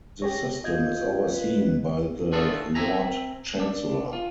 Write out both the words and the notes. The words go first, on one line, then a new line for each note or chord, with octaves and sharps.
The system is overseen by the Lord Chancellor.
G4 G#4 C#5 A#6
F4 D#5 G6 G#6
B4
A3 D4 F4 F#4 G#4 A4
C4 E5 G#5 A#5
D4
F4